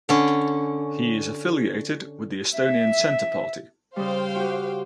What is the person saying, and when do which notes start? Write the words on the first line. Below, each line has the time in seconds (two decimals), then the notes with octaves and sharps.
He is affiliated with the Estonian Centre Party.
0.09 D3 C#4
2.56 E5
3.96 C#3 G3 C5 F5 G5
4.36 F#4 G4